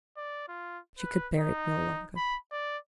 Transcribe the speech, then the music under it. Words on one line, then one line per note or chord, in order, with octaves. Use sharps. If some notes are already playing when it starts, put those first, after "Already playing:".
She could bear it no longer.
D5
F4
B4
D#4
B5
D5